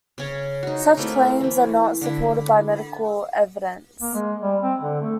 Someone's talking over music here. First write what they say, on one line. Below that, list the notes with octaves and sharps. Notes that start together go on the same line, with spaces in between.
Such claims are not supported by medical evidence.
C#3 C#4 C#5
D#4 F#4
A3 A#3 C4 E4
E3 A3
D3 D4 E4
A#3
G#3
G3
C4
D3
A3